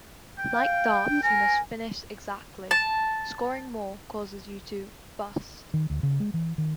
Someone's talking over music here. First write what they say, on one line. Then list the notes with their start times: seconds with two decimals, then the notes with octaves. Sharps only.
Like darts you must finish exactly - scoring more causes you to "bust".
0.38 G5
0.54 F5
1.10 D4
1.23 A#4 G#5
2.71 A5
5.74 D#3
5.90 D2
6.03 C#3
6.20 G#3
6.34 E3
6.58 D#3